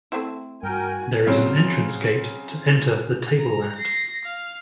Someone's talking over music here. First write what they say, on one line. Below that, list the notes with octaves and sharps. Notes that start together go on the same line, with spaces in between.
There is an entrance gate to enter the table land.
A3 C4 E4
G2 F#4 A#4 G5 G#5
C#3 F#3 C4
A#5
A#6 C7
F5